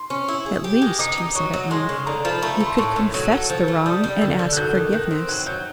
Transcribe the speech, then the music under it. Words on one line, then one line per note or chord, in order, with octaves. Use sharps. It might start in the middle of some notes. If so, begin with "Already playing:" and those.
"At least," he said at length, "you could confess the wrong, and ask forgiveness."
Already playing: C6
C#4
E4
G#4
G4
G#3
D#4 D6
D#4
F#3 C#6
F#3
G#3 C6
C#3
D3 A#5
F3
B5
A3 A#5
B5
A3
C6
A2 C#6
A2 E6
F#3
A3
F3
A3
G3 D#6
G3
D3 E6
D3
F#6
F#3 G6
D#3
D#3 F#6
C4
F#3 F#6
F#3 G6